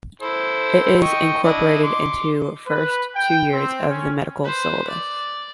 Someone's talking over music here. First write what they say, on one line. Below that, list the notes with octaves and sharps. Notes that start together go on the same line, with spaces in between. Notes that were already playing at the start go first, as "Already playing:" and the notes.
It is incorporated into first two years of the medical syllabus.
E4 A4 C5
D#5 G5 C#6
D4 E4 D#5
C6 D6
B4
G5
C4
C#4
B4 C5
D5